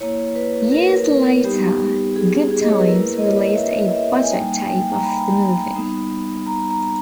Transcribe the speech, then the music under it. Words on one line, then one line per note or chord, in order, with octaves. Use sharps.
Years later, Goodtimes released a budget tape of the movie.
A#3 E4 C#5
B4
A#4
B4
A#4
G3 B3 D#4 G4
G4
G#4
G#4
D#5
C#5
B4
A#3 E4 A#4
D#5
C#5
E5
D#5
D#5
E5
G#5
G3 A#3 D#4 G5
G5
A#5
B5
G3 B3 D#4
A#5
A#5